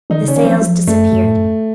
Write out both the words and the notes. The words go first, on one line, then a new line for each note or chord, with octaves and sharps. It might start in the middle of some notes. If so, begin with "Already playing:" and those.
The sails disappeared.
D#3 D#4
C#3 C#4
D#3 C#4
F3 F#3 C4
F3
F#2 A3
F#2
A2
F#2